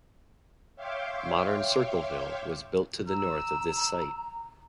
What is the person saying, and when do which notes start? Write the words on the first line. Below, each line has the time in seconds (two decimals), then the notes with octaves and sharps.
Modern Circleville was built to the north of this site.
0.76 C#5 E5 F5 G5 C6 D6
3.07 A#5 E6